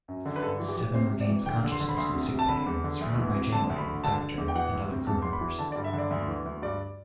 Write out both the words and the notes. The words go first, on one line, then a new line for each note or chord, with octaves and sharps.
Seven regains consciousness in sickbay, surrounded by Janeway, the Doctor, and other crew members.
F#2
D3
B4
G2 A4
E3
G4
E3
C3 C5
C3
D5
E3
D3 G5
D3
C6
D3
B5
D2 C6
C3
C3
A5
D3 B5
E2
D3
D2
E3
C3
D3 A5
D2
B5
D3
D3 A5
D3
E2
G5
E3 F#5
D2
C3
E2 A5
E2 C6
B5
E3
D3 A5
D5
G2
E5
D3
D5
D2
E3
D2
G2 D5